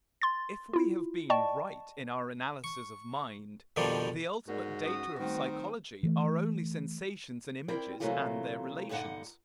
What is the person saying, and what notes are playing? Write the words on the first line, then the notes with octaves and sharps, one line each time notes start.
If we have been right in our analysis of mind, the ultimate data of psychology are only sensations and images and their relations.
C6 A6
E4 F4
D5 D#5 G5 A5 C#6
C#6
F2 B2 D#3 F3 G3 D4
G#2 F#4 A#4 D5 D#5
C#4 D#6
D#3 G3 A3 C4
E3 A3
C4 E4 A#4 D5 G5
C3 E3 F#3 A3 A#3 F4
G2 A#2 D3 D#4 F#5